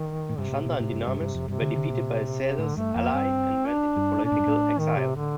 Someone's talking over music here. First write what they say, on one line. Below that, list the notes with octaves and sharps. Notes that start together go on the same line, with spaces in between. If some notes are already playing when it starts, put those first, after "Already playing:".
Asander and Dynamis were defeated by Caesar's ally and went into political exile.
Already playing: D#3
A2
G2 C3
A2
A#2
A2
G2
G2
G2
F2
G2 C3
D3
D3
A#2
A2 D3
G2 A3
F2 A#3
G2 C4
D4
G2
A#2 D4
A2
G2
A2
D#3
C3
D3